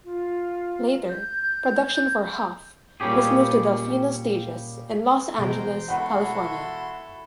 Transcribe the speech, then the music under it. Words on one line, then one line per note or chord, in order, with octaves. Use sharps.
Later, production for "Huff" was moved to Delfino Stages in Los Angeles, California.
F4
G6
A#2 G3 C#4 G4 G#4
B2 E3 G#3 C5 G5 A#5
E4 F#4 A4 F#5 B5 C6